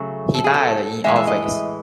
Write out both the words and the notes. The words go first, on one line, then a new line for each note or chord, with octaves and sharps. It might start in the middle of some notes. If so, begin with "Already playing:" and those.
He died in office.
Already playing: C#3 F#3 A3
A4
G#4
A4
A2 E3 G#3 E5
E5
D#5